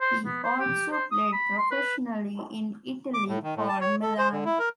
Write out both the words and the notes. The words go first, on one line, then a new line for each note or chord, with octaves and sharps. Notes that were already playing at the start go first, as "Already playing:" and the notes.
He also played professionally in Italy for Milan.
C5
B3
C5
G4
C5
D#6
B5
C6
B4
D6
A2
D#3
A2
A5
C#5
A4
C5
D3
E4
A#4